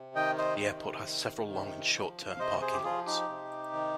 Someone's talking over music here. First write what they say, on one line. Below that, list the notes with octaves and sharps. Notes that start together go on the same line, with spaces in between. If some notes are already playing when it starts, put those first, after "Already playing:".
The airport has several long and short term parking lots.
Already playing: C3
D#3 D#5 G5
C5 D#5
C3
D#3
C3
F3
F5
C3 C5 D#5
G#4 C5
G4
F3 F4 G#4
D#4 G4
C3
D#3